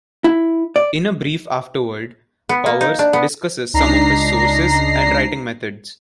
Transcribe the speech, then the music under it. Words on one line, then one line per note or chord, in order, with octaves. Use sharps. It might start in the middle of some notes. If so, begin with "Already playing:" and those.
In a brief afterword, Powers discusses some of his sources and writing methods.
E4
D5
B3
A#3
D#4
D4
B3
C#2 D4 D#4 A#5 A#6 C7